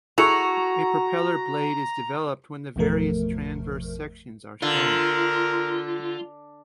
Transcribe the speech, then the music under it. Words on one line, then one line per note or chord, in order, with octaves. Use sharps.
A propeller blade is developed when the various transverse sections are shown.
E4 F#4 G#4 A4 A#5 C#6 C#7 F7
G#1 E2 B2 F3 A3 A#4
D3 F4 A#4